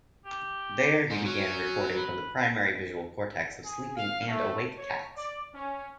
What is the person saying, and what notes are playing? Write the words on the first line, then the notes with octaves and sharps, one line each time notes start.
There, he began recording from the primary visual cortex of sleeping and awake cats.
G4
G#2
F#3 C#4
B4
G#4
F5
A3
C#5
D5
C#4